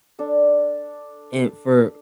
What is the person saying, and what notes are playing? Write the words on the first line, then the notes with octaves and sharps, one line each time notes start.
and for
D4 A4